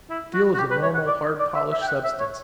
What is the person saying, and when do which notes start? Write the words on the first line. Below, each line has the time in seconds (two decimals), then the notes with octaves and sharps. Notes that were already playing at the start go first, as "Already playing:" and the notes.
Steel is a normal, hard, polished substance.
0.10 E4
0.34 F#4
0.54 F#4
0.58 G4
0.71 B4
0.82 C#5
0.95 F#5
1.07 D5
1.39 D5
1.55 E5
1.71 E5
1.82 G5
1.88 F#5
2.04 E5
2.19 C#5